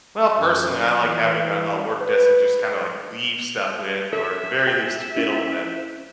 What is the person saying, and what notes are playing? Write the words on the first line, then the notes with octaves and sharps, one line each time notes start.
Well, personally, I like having a a work desk that just kinda, like, leave stuff with or- at the very least- fiddle with,
F#2
E3
B4
A4 E5
G#4 G5
C#4 E4